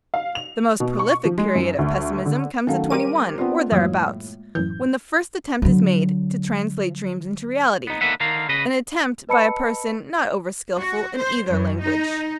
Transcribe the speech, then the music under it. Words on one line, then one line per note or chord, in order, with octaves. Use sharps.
The most prolific period of pessimism comes at twenty-one, or thereabouts, when the first attempt is made to translate dreams into reality, an attempt by a person not over-skillful in either language.
F5
F7
B2
C#6
F3
G#3
F#2
D2
D3
D#3 F#3 A3 C#4 F5
G3 G4 A#4 C5 D6 D#7
B3 C4 D4 F4
F#2 A2 E3 F#3 G#3 A#3 C#5
F#2 A2 E3 G6
D3 F#3
B3 D#4
D3 A#3 D#4 B4 E5 F#5
D3 D#3 A#4 F5
C#3 B4 D#5
B4 D#5 A5 B5 E6 C#7
F#4
C5
F#2
D#4